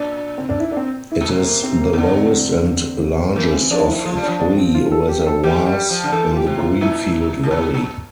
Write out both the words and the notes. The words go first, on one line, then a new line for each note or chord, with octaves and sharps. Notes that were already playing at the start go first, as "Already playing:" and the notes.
It is the lowest and largest of three reservoirs in the Greenfield Valley.
Already playing: A#2 D4
C4
D4
E4
D4
C4
E4
A#2
C3
A#3
C4
A#3
E3
D3 C4
D4
C4
E3 A#3
C4
F3 D4
E4
F3 F4
G3
F3 D4
D4
C4
F4
A4
G4
A4
E3 G4
G3
F3
D3
E3 A4
F4
G4
C3
F4
A#2 E4
A2
A#2
A#2
A#2